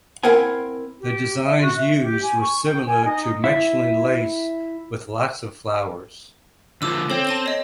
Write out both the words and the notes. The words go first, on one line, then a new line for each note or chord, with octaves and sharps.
The designs used were similar to Mechlin lace, with lots of flowers.
C4 E4 A#4 F5 F#5 G#5
G4
E5
F#4
E5
G4
G#5
C#6
G5
G#5
D#4
E4
D3 F3 D6 E6
C4 A4 C#5 G5
A5 D#7 G7
C#5 D#5